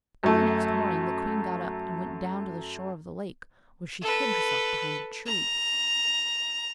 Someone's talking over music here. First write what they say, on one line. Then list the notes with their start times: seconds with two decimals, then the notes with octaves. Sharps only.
Early next morning the queen got up and went down to the shore of the lake, where she hid herself behind a tree.
0.24 F#2 A3
4.02 A4 B4
5.26 A#5